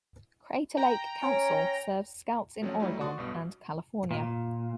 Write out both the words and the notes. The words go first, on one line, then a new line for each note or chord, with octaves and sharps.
Crater Lake Council serves Scouts in Oregon and California.
G5 A#5
C#4 C#5
F3 F#3 A3 C4 C#4
F#3 G3 A3 D#4 E4
F#4 D5 C6 C#6 D#6
B1 G2 B2
A#2